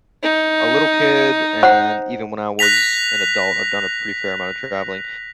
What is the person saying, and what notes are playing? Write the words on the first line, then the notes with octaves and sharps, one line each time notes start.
a little kid, and then even when I was an adult, I've done a pretty fair amount of traveling,
D#4
C5 F#5
F#6 A#6 B6 F7